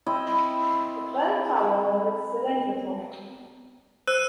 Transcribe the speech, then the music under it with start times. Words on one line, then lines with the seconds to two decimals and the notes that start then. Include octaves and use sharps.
The bell tower is cylindrical.
0.06 C4 E4 D#5 B5
4.07 C5 E6 F#6 D#7